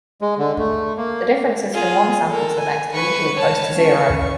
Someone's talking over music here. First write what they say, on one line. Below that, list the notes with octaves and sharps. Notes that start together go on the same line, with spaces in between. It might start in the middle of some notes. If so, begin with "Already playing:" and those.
The differences from one sample to the next are usually close to zero.
G#3
D3
A3
A#3
F4 G#4
A4 A#4
G#5
B4 C#6
C#5 A5
C#4 C#6